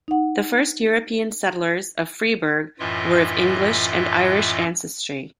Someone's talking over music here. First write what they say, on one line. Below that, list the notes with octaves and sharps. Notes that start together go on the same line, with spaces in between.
The first European settlers of Freeburg were of English and Irish ancestry.
D#4 F#5
F#2 A2 E3 F4 D#5 E5